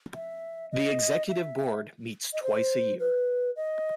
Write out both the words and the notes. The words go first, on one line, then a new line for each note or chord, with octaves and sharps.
The Executive Board meets twice a year.
E5
D#5
E5
D#5
C5
B4
D#5